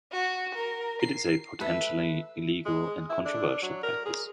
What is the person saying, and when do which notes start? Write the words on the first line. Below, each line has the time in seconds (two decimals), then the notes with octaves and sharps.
It is a potentially illegal and controversial practice.
0.12 F#4
0.55 A#4
1.02 C7
1.60 A4 B4 E5
2.66 G#3
3.10 E4
3.25 D4
3.63 F#3
3.83 A#4
4.05 G#4